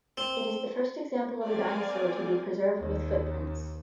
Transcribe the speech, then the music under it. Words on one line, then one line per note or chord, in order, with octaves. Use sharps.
It is the first example of a dinosaur to be preserved with footprints.
C4
C4 A#4 D5 F5 G#5
D#2